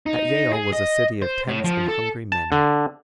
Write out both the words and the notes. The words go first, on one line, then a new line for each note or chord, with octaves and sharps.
At Yale was a city of tents and hungry men.
D#4
G#4
D#5
C5
A2
F3
A4
A5
D3